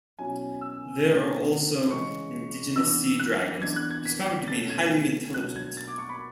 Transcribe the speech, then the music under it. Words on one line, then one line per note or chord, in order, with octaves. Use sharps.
There are also indigenous sea dragons, discovered to be highly intelligent.
B2 F#3 C#4 E4 G#5
E6
B2 A3 D4
C#3 E3 G#3 C#6
E3 B3 D4 E6
F#6
E3 B3 D4 G#6
F#6
G#6
B6
B2 A3 C#4 A6
G#6
B2 F#3 B3 D4 F#6
G#6
A6
D6
C#6
B5